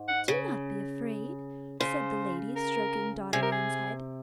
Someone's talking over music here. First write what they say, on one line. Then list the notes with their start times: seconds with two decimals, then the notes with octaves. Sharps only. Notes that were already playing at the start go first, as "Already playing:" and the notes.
'Do not be afraid,' said the lady, stroking Dotterine's head.
Already playing: G#2
0.09 F#5
0.28 C#3
1.80 C#3 C5
2.57 A#4
3.33 C3 G#4
3.43 A#4
3.52 G#4